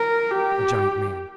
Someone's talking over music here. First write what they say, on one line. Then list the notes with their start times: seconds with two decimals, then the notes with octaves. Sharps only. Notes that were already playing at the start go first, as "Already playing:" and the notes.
A giant man.
Already playing: A#4
0.31 G4